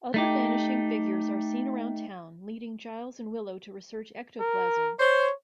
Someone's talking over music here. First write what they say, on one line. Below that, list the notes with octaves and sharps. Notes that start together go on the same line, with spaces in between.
Other vanishing figures are seen around town, leading Giles and Willow to research ectoplasm.
A3 D#4 G4
A#4
C5 C#5